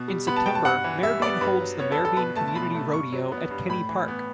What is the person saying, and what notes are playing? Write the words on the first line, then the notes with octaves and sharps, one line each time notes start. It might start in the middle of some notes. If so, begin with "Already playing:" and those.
In September Merbein holds the Merbein Community Rodeo at Kenny Park.
Already playing: B2
G3
B3 B5
A5
B2 G5
A5
G2 F#5
E3
G3 E5
B3 D5
G2 B4
F#3
B3 C#5
A4
G2
A4
B2 B4
A3 A5
A5
B2 B5
A3
G2 C#6
F#3
B3
G2
A2 B5
E3
B3